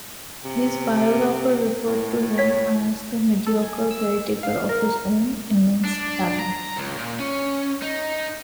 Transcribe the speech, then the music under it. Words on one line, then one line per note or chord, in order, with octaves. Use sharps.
His biographer referred to him as the "mediocre caretaker of his own immense talent".
C3
A2
C#4 C#5 B6
A4
G#5
E6
F5
A#4
D4
A#5
C#2
A#2
C#4
D#4